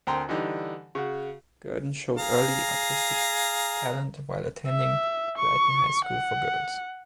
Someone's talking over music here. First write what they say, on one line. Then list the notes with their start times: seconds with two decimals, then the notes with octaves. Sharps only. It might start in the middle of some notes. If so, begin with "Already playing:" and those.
Gurdon showed early artistic talent while attending Brighton High School for Girls.
0.07 D2 C4 A#4 G5 A#5 C6
0.29 D3 E3 G3 D#4
0.95 C#3 F#4
2.18 G#4 F5 A#5
4.68 E5
5.38 C#6
6.06 F#5